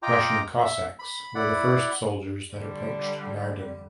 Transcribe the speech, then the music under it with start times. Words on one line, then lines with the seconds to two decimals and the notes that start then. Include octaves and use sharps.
Russian cossacks were the first soldiers that approached Naarden.
0.03 F4 D#5 G5 A#5 D6
0.60 E5
0.99 B5
1.35 E4 D5 F#5 B5
2.53 D3 G3